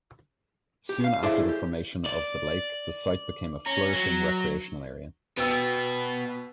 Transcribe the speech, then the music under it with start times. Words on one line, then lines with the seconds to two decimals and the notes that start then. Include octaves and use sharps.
Soon after the formation of the lake, the site became a flourishing recreational area.
0.89 G4
1.04 F5
1.23 E4 G#4 A4 C5 D5 D#5
1.49 G4
2.06 D5
3.66 C#4 A#5
3.95 F#3
5.37 B2 B4 G5 E6